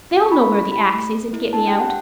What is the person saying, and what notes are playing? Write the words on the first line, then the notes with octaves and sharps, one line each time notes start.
They'll know where the axe is and get me out.
C#4
C#6
C#4 B5
E4
G4 B5
A3
A3
E4
D4 A5
G5
G4
F#5